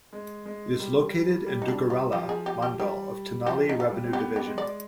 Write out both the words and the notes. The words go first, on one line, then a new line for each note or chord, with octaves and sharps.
It is located in Duggirala mandal of Tenali revenue division.
G#3
G#3
G3
G3
D#4
D4
F4
F3 G4
G#4
G4
G4
G3 G4
F3 G4
D#4
F4
G3
C4
B3 G4
G4
G#3
D5